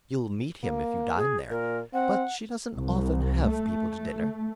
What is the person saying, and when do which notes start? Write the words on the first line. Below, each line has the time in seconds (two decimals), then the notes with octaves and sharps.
You'll meet him if you dine there. But she doesn't often have people to dinner.
0.63 A#3
1.17 G#4
1.50 A#2 A#4
1.94 C4 F#5
2.76 C2
3.47 A3